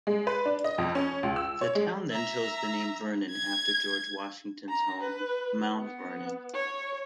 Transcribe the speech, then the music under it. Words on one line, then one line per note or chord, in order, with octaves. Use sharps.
The town then chose the name Vernon, after George Washington's home, Mount Vernon.
G#3
B4
D4
D#5
F2
C#4
C#2
E6
C#5
G#3
E5 A#5
G#6
A#5
B4
B3
C#5